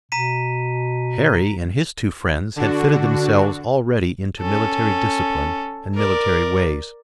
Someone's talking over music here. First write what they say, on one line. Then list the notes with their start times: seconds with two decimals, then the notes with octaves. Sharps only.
Harry and his two friends had fitted themselves already into military discipline and military ways.
0.12 B2 A#5 B6 D#7
2.56 D3 D4 F#4
4.40 C#4 A4
5.95 A#4 D5